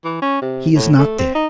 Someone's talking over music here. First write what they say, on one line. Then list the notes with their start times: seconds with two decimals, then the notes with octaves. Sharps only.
He is not dead.
0.05 E3
0.22 C#4
0.42 C3
0.76 A2
0.98 A3
1.19 C4
1.35 D#4